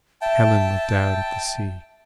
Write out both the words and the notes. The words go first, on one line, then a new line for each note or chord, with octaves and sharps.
Helen looked out at the sea.
E5 G5 A5